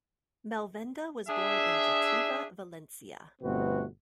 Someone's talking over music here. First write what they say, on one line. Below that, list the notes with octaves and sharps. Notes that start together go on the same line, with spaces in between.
Malvenda was born in Jativa, Valencia.
D4 G#4 E5
G1 B2 A3 B3 C4 F#4